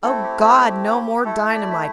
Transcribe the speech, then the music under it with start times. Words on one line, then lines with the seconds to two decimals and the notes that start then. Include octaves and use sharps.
O God! no more dynamite!
0.03 A3 C4 E4 A4
0.23 G4
0.44 G4
0.64 G4
1.17 G4
1.25 A3 E4 A4
1.49 E5
1.55 D5
1.71 E5